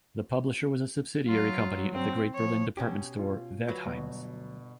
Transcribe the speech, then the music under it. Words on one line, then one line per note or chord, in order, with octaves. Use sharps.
The publisher was a subsidiary company of the great Berlin department store, Wertheim's.
F#3 F4
C4
F3 C#5
B2 C#4 G4
F4
D2 F#3 B4
G1 B2